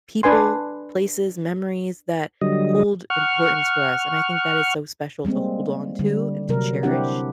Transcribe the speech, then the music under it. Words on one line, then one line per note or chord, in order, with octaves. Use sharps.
people, places, memories that hold importance for us, and I think that is so special to hold onto and to cherish.
D4 B4 G#5 C6
D3 F#3 G3 D#5
F#5 C#6 F6
G3 G#3 A#3 C4
D3 G3
C3 F#3 A#4
C4 D4 E4 G4 F#5